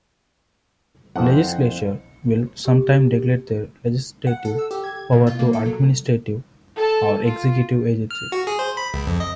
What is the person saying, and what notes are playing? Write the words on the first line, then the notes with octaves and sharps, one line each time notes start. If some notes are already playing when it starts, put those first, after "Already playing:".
Legislatures will sometime delegate their legislative power to administrative or executive agencies.
F2 C4 E4 C5 F#5
G4
F#5
A4
E6
G4
G#6
G#6
B2
F4
A#3
A4
F#3
A4 A5
F4
F6
F#4
G#4
C5
B5
C#2
F2
D#5